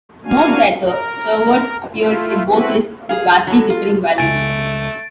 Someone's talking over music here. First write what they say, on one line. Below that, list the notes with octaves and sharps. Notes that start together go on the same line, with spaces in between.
Note that the chetvert appears in both lists with vastly differing values.
A#3 D4 F#4 F5 G#5
A#4
A3 E4 F4
A3 C4 E4 F#4 B4
G#4 F5
A4
A2 F#3
F4
C#2 F#2 A3 G#5 A6 D7